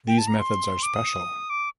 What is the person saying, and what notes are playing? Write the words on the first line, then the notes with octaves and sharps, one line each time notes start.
These methods are special.
G5
A5
A#5
C6
D6
D#6
D6